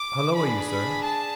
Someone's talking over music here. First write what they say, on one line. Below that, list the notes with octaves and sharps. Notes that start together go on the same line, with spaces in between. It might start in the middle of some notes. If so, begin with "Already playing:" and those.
Holloa, you sir!'
Already playing: D6
D4 G#4 B5
B5
A5